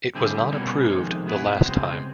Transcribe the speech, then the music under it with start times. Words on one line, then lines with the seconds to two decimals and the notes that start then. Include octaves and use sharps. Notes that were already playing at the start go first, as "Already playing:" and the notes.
It was not approved the last time.
0.15 D3 G3 C4 E4 G#4
0.51 B2 G3 A#3 C#4
0.88 F2 C3 D#3 G#3
1.26 B2 G#3 B3 E4 G#4
1.63 C#2 B2 G#3 C4